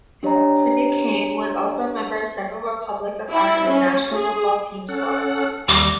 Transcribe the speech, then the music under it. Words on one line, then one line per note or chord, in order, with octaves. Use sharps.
Finucane was also a member of several Republic of Ireland national football team squads.
D4 G4 C#5 D#5 A#5
E4
C#4
G#4
C#4 A4 F#5
D#2 G3 A#5 D6